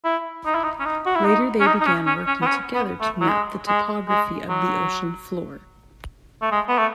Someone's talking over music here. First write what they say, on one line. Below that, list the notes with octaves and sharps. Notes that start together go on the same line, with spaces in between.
Later, they began working together to map the topography of the ocean floor.
E4
D#4
E4
D#4
C#4
D#4
F#4
E4
D#4
C#4
D#4
D#4
C#4
C#4
C#4
B3
C#4
B3
A3
F#3
G#3
G#3
G#3
F#3
A3
G#3
B3
A3